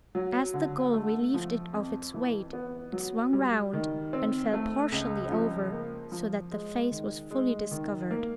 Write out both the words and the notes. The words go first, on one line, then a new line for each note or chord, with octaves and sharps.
As the gull relieved it of its weight, it swung round and fell partially over, so that the face was fully discovered.
F#3
D3
A3
F3
F2
E3
B3
F#3
G3
D#3
C4
A3
C#2
F3
A#3
F3
G#3
D#3
G#3
D#3
A#3